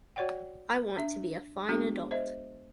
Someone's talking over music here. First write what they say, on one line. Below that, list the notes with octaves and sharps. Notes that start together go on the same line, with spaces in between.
I want to be a fine adult.
F#4 C#5 D5 F#5 G5
D4 E5
G#3 B3 D4 F#4 G#4
C5 D#5 E5